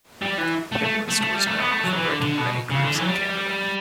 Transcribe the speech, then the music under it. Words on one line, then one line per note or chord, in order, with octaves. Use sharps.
"Hit List" was known for breaking many groups in Canada.
G3
E3
A3
A3
A3
A3
G3
A3
B3
A3
F#3
E3
D3
D3
B2
C#3
D3
E3
F#3
G3